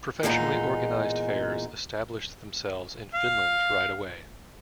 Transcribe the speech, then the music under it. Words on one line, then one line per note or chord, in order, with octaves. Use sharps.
Professionally organised fairs established themselves in Finland right away.
E2 A#2 G#3 C#4 D#4
F5